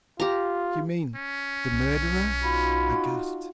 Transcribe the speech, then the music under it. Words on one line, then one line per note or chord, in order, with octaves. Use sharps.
"You mean--the murderer?" I gasped.
F4 G4 A#5
C#4
B1
D#4 F4 F#4 B5